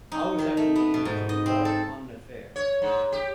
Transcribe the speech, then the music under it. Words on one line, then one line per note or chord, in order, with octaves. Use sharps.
Hours after meeting, the two embark upon an affair.
D#4
D#3
A3
B3
B2
G#2
D#5
C4
A4
C#5
G#2
G4